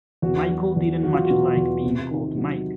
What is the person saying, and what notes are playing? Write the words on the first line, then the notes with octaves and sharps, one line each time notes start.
Michael didn't much like being called Mike.
E2 F#4
F#3
E2
F#3 F#4
F4
F#4
B2
E2
C3
D#3
F#3